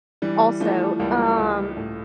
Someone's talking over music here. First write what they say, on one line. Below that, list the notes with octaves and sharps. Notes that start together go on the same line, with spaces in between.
Also, um,
E3 G3
E3 F3 A3
C#2 G3 A#3
C#2
A2